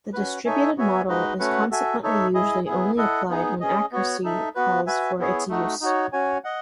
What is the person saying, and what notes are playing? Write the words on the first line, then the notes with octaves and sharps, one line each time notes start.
The distributed model is consequently usually only applied when accuracy calls for its use.
C#4 F#4 B4
D#4 A4 C#5 E5 G#5
B3 F#4 C#5 E5 G#5
G#3 D#4 F#4 B4 D#5
A3 C#4 F#4 B4 F#5
F#4 A4 E5 G#5
D#4 A4 C#5 E5
E4 G#4 D#5
B3 E4 G#4
E4 A4 D#5 F#5
B3 D#4 G#4
C#4 G#4 D#5
B3 F#4 C#5
D#4 A4 E5
B3 F#4 B4
F#4 B4 E5 G#5
B3 E4 G#4 C#5
A3 D#4 F#4
D#4 F#4 C#5
C#4 F#4 C#5 G#5
D#5 F#5